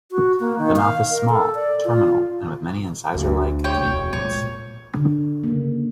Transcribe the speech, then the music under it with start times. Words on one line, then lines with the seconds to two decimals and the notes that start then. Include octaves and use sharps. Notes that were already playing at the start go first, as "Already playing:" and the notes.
The mouth is small, terminal and with many incisor-like canines.
0.11 F#4
0.40 A#3
0.59 D#3
0.76 F5
1.10 A#4
1.29 A4
1.55 D5
1.85 F4
3.14 D2
3.64 C#5 G5
3.78 E1
4.13 A#2 G#3 C#5
4.97 D3
5.44 C#3 A#3